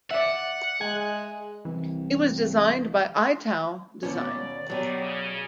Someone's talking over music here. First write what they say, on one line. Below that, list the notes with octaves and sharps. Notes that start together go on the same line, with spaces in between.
It was designed by Italdesign.
D5 E5 F#5
G#3 G#5
C2 E3
D#2 B2 C#4 D5
B2 D#3 F#3 G3
C#3